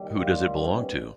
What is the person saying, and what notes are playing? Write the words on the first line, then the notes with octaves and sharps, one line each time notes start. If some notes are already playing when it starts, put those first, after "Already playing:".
Who does it belong to?
Already playing: D#2 D#3 G3
F4 G4
B3 C#4